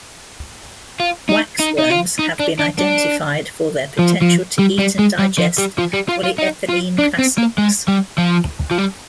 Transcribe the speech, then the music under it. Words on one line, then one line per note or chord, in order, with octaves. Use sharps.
Waxworms have been identified for their potential to eat and digest polyethylene plastics.
F4
D#4
D#4
D#4
F4
D#4
D4
D4
D4
F3
F3
G3
G3
G#3
G3
F3
G3
F3
G3
F4
F4
D#4
F4
D4
C4
A#3
G#3
G3
F3
F3
G3